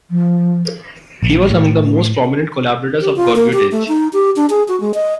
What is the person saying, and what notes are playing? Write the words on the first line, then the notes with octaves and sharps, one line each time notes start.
He was among the most prominent collaborators of Gheorghiu-Dej.
F3
A#1
A2
G4
F4
A#3
G4
A3
D#4
G4
D4
G#4
F#4
G#3
D#5